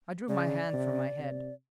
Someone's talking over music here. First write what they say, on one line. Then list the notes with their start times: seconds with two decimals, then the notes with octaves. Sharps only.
I drew my hand from my head.
0.29 C#3 D5
0.73 C3
1.18 C3